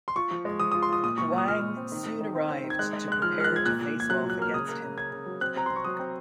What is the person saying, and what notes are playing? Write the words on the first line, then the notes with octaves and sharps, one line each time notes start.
Wang soon arrived to prepare to face off against him.
C6
F4 C#6
F3
G#3
F3 D#6
F4 D#6
C6
F4 D#6
A#2 D#6
A#2 C#6
A#2
D#6
A#2 F6
A#2
C4
D#3
D#3
D#3
C4
C4
D#3
G#6
G#3 F#6
G#3
G#3 F#6
F3 F6
G#3 F6
F#6
F3 G#6
A#2 F#6
A#2
A#2 G#6
F#3 F#6
A#2 F#6
A#3 F6
C#3 D#6
A#3
C#3
C#3 G#6
C#3
F#3
C4 F#6
C4 A#5
C6
C4
C#6
F#3 D#6
C4